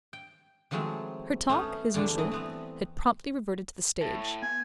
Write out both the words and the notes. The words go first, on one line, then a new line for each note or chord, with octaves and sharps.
Her talk, as usual, had promptly reverted to the stage.
G5
D#3 F3 F#3 G#3 A3 C4
A3 B3 C#4 D#4
E2 D3 F3 G3 D4
E3 C4 D#5
A3 B3 C4
A2 A5
B3 G#5